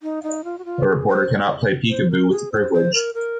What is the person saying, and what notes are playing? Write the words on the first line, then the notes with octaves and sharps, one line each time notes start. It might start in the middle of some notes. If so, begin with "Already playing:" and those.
A reporter cannot play peek-a-boo with the privilege.
D#4
D#4
F4
F#4
F4
G#4
C5
C5
A#4
G#4
C5
C5
A#4
A#4